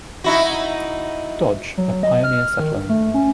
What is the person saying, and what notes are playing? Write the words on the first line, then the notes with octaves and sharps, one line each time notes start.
Dodge, a pioneer settler.
D#4 E4 F#4
F#3
D#5
F6
D#3
G2
A3
C#4